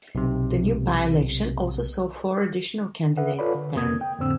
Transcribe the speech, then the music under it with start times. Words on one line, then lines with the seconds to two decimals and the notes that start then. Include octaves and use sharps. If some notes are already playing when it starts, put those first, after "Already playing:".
The new by-election also saw four additional candidates stand.
0.15 B1 C3
3.17 B4 E5 F#5
3.39 F4 A4 B4 C#5 D5 B5
3.55 D3
3.75 F2 C3 A#3 D#6 G#6
4.01 G5
4.19 F2 A2 D3 C4 E6